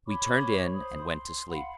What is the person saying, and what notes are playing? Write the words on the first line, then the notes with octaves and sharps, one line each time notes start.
We turned in and went to sleep.
C#5 B5 C#6 D6
C5 B5 D#6
C6
F5 F#5 B5